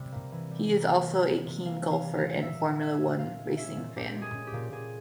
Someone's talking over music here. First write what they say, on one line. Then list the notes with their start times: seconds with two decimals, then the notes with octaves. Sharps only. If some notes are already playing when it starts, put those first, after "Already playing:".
He is also a keen golfer and Formula One racing fan.
Already playing: C3 G3
0.12 A#3
0.32 E3
0.51 G3
0.70 C3
0.89 A#3
1.07 E3
1.27 G3
1.46 C3
1.65 A#3 F5
1.85 E3
1.91 F5
2.04 G3
2.17 F5
2.22 C3
2.42 A#2 E5
2.61 G#3
2.80 C#4 E5
3.00 A#2
3.18 A#2 F5
3.39 G#3
3.57 C#4 E5
3.77 A#2
3.96 A#2 G4
4.14 G#3
4.22 G#4
4.34 C#4
4.47 G4
4.53 A#2
4.72 A#2 G#4